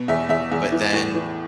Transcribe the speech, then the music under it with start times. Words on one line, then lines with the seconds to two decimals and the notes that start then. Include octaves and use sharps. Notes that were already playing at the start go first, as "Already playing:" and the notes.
but then
Already playing: B2
0.08 E2 E5
0.29 E2 E5
0.52 E2
0.72 E3
0.93 A2
1.14 E3